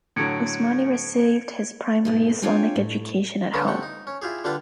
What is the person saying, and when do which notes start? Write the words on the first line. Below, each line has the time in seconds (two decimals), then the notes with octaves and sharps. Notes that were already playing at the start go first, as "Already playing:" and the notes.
Usmani received his primary Islamic education at home.
0.16 A2 D3 F#3 G#6 C#7 D7
2.05 G#2 B2 A3
2.42 C4 D4 F4 C#5 G5 G#5
2.76 A2
3.54 D3 A#3 B3 C#4 D4
3.67 C3 A3 F#5 G5
3.83 D#4
4.07 C#4
4.22 E4 F4 G4 G#4
4.44 D3 G3 D4 F4 B4 D5